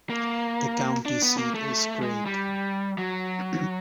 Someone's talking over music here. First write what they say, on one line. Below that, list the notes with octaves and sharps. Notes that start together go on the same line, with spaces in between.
The county seat is Craig.
A#3
D4
B3
A#3
A3
G#3
G3
F#3